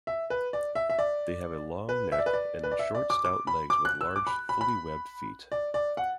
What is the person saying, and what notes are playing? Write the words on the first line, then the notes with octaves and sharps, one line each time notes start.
They have a long neck and short stout legs with large, fully webbed feet.
E5
B4
D5
E5
E5
D5
B4
E5
D5
B4
D5
B4
D5
E5
D5
D6
D6
B5
D6
F#6
E6
D6
B5
B5
B5
D5
D5
F#5